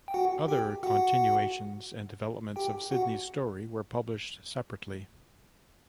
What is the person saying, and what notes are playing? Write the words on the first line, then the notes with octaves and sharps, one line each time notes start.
Other continuations and developments of Sidney's story were published separately.
G5
F#4 F#5
G4 G5
F#4 F#5
G4 G5
F#4 F#5